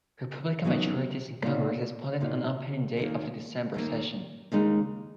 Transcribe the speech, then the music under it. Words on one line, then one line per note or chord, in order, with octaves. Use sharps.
Republican majorities in Congress responded on opening day of the December Session.
C#3 F#3 B3 D#4
A#2 A#3 D#4 F#4
A#2 A#3 D#4 F#4
D#2 D#3 A#3
D#2 D#3 A#3
D#2 C#3 G#3 D#4